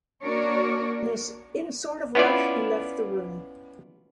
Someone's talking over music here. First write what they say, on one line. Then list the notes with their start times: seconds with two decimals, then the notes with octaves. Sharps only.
In a sort of rush he left the room.
0.23 A#3 D4 F#4 A#4 C#5 D5
2.15 B3 C#4 E4 F4 D5